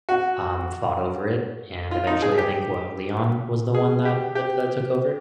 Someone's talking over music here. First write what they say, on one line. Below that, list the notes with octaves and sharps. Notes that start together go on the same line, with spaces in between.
um, fought over it, and eventually I think what Leon was the one that w that took over it.
F#4
F4
D#4
G#4
G4
G#4
G4
G4